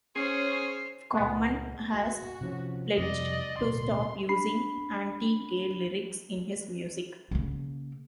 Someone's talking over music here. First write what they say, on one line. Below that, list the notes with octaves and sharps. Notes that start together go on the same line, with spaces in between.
Common has pledged to stop using anti-gay lyrics in his music.
C#4 G#4 C5 C#5 C7
C#2 A#2 G#3 B3
F#4
C3 F3 C#4
F2 C3 G3 D5 D#5
D1 B2 C6
D4 B5 C7
C#3 A#3